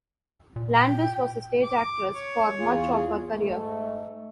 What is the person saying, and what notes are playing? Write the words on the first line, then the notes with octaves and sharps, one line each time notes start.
Landis was a stage actress for much of her career.
A#2
G5
D6
C#5
E2 F4 G#4
G#2 A3